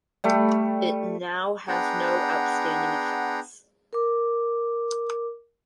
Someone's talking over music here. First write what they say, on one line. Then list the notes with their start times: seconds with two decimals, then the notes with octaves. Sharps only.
It now has no outstanding effects.
0.24 G3 A3
1.68 B3 D4 G#4 F#5 G5 A#5
3.93 A#4 D6